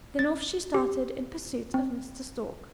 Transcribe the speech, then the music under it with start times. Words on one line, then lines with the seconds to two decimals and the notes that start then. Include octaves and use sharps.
Then off she started in pursuit of Mr. Stork.
0.19 A6
0.74 G4
1.74 C4